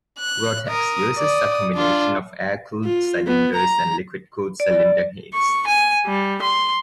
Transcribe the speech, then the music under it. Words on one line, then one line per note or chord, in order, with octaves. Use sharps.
Rotax uses a combination of air-cooled cylinders and liquid-cooled cylinder heads.
F#6
A#4 D#6
D5 D#6
D4 F4
F4
B3
A#5
D5
C#6
G#5
G3
C6